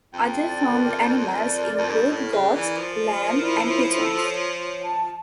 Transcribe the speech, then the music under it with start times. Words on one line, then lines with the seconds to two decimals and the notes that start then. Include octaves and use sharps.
Other farmed animals include goats, lamb and pigeons.
0.13 F2 G5
0.43 D5
0.72 A#4
1.02 A#4
1.31 D5
1.60 A#4
1.78 F2
1.89 G2 A#4
2.10 A2
2.18 A#4
2.32 C#3
2.48 D5
2.55 E3
2.77 F3 D5
3.06 A#4
3.35 E4
3.65 C#5
3.94 A4
4.23 C#5
4.52 C#5
4.82 A5